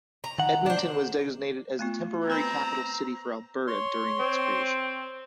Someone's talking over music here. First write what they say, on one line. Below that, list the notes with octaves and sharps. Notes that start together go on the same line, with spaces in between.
Edmonton was designated as the temporary capital city for Alberta during its creation.
A#5
D#3 F#5
D4 C5
A3 B3 F4
B3 C4 B4 A#5 B5
C#5 C6
C4